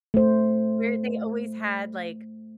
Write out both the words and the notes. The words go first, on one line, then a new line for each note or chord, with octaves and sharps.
Where they always had, like,
A3 C5